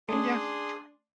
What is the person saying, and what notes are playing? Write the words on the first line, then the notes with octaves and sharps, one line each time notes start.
Yeah, true.
A3 C#4 D4 G#4 C6 D#6